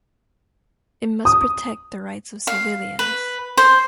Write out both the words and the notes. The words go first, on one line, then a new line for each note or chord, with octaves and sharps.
It must protect the rights of civilians.
D#6
F5
B4
C5